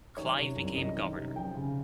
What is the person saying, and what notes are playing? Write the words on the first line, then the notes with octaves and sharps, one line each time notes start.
Clive became governor.
D#3 C#5
C3
C2
C2 D#5
D#3
C3
F3 G5
C#3